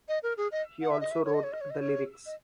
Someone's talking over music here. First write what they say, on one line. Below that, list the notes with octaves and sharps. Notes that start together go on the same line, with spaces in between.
He also wrote the lyrics.
D#5
A#4
G#4
D#5
F#5
E5
D#5
E5
C#5
D#5
C#5
D#5
C#5
D#5
C#5
D#5